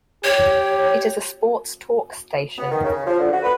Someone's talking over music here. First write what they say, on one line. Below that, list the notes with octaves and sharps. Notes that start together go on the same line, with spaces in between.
It is a sports talk station.
G4 C#5
B3
D#3
C#3
F3
D3
F#4
B4